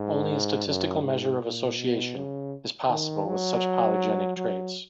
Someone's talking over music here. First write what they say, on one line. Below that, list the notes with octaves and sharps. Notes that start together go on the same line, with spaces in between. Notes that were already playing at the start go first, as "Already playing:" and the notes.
Only a statistical measure of association is possible with such polygenic traits.
Already playing: G#2
F#2
G#2
A#2
B2
C#3
D#3
F#3
F#3